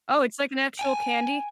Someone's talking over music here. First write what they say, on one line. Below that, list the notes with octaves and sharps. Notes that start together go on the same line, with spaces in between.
Oh, it's like an actual candy?
G5 G#5